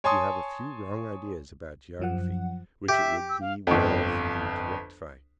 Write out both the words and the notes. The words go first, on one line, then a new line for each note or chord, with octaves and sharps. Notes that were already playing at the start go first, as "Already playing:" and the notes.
You have a few wrong ideas about geography, which it would be well for you to rectify.
C#5 G#5 A5 C6 C#6 D#6
F#2 F3 F#5
G4 E5
E6
F5
G1 F2